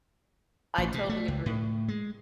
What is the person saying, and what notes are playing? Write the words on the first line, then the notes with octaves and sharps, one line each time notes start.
I totally agree.
A1
B2
A3
C#2
A2
G#3